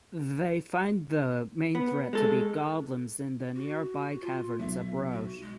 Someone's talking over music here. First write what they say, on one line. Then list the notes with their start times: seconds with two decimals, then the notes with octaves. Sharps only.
They find the main threat to be goblins in the nearby caverns of Broch.
1.75 B3
2.13 G#3 A4
3.55 F#4
4.21 F4
4.59 B1 E5
5.12 F#4
5.41 G#3